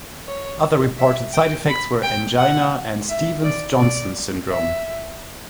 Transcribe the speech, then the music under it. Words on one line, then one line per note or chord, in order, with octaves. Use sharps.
Other reported side-effects were angina and Stevens-Johnson syndrome.
C#5
E5
G5
B5
G5
F#5
E5
D5
D5
E5